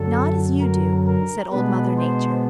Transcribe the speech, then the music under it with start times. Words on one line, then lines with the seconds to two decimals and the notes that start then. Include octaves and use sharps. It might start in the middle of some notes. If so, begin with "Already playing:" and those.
"Not as you do," said Old Mother Nature.
Already playing: F#2 D3 F#3 A4
0.61 A#4
1.07 A#4
1.52 B2 G#3 B3 D4 B4
1.98 C5